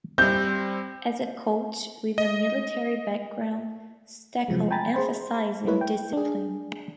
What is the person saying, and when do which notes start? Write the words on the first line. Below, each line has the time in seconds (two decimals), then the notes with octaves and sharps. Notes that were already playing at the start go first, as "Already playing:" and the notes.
As a coach with a military background, Steckel emphasized discipline.
0.18 G3 C4 G6
2.18 D#5
4.48 C3 F3 F#3 G#3
4.71 G5 G#5 A#5 B5 A6
4.94 G#4 C5 B5
5.65 G3 A3 A#3 E4 B4 C#5
5.81 G5
6.13 D4 G#4